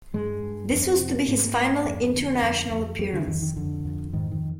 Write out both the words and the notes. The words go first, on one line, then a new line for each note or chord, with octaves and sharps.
This was to be his final international appearance.
G2 G#3
G2
F2 C4
C3
G#2 A#3
G#3
A#3
G#2
F2
D3
F2
F2
F2 G3
D3
F2 D#3
D#3
F2 D3
F2
G#2 D#3
D#3